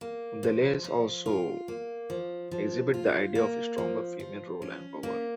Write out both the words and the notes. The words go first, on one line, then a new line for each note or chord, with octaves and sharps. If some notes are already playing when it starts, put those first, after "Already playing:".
The lais also exhibit the idea of a stronger female role and power.
A#3
F3
F3
F4
A#3
F3
F3
F4
A#3
F3
F3
C#4
A#3